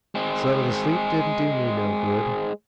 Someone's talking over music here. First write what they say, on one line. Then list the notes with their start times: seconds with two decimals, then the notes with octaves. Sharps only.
So the sleep didn't do me no good.
0.15 G#3 C4